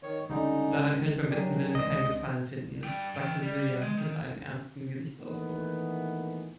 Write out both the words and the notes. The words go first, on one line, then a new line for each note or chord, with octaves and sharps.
"Daran kann ich beim besten Willen keinen Gefallen finden", sagte Silja mit einem ernsten Gesichtsausdruck.
D#3 C#5
C#2 D3 G3 C#4 D#4
D#3
F#3 D4 G4 G#4
C#2 C3 C4 D4 D#5
G2 G5
E3 G5
G3
G#3
D#3
A#2 D#3 E3 A3 B3